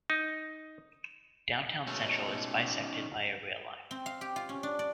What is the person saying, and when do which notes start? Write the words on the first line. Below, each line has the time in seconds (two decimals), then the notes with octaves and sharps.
Downtown Central is bisected by a rail line.
0.10 D#4
1.87 B2 G#3 A3 C#4 D#4
3.91 C4
4.06 F5
4.21 G4
4.36 F4
4.49 C#4
4.63 D4
4.79 D5